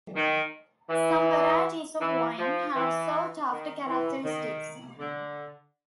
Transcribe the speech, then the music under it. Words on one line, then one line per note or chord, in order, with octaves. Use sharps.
Some varieties of wine have sought after characteristics.
D#3
E3
E3
F3
E3
D#3
E3
D#3
D3